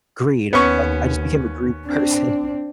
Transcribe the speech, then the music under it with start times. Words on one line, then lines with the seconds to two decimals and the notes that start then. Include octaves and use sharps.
greed, like, I just became a greedy person,
0.53 D#2 B3 C#4 C#6
1.87 C4 D4